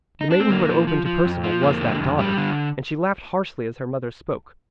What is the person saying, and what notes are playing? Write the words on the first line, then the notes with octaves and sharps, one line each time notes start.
The maiden who had opened to Perceval was that daughter, and she laughed harshly as her mother spoke.
D#4
D4
C4
D3 A#3
F3
F3
F3
F2
F3
F2 A#3
D3
F2
G3
D3